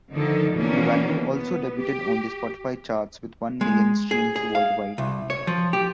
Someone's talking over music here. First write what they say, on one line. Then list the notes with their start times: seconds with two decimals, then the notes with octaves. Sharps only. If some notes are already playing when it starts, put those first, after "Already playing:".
Lovato also debuted on the Spotify charts with one million streams worldwide.
0.12 D3 D#3 F3 D#4 A4
0.53 B2 E3 A#3 B3 C#4 D4
1.28 B3
1.81 G4
3.61 G#3
4.11 G#4
4.36 G#4
4.55 F5
4.98 C2
5.30 C#5
5.47 F3
5.73 G4